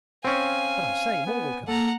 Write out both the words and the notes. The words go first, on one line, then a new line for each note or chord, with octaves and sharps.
But I say, more will come!
C4 C#4 F5 G#5
B3
A#3 A4 F#5 A#5